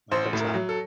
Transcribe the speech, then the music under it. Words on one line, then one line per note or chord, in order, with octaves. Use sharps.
Like that's not
A1 C5
A2
A#4
F#3
A4